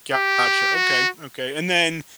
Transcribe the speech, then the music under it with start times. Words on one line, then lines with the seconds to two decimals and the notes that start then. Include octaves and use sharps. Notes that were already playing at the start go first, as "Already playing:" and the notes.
Gotcha, okay, okay, and then
0.12 G4
0.75 F#4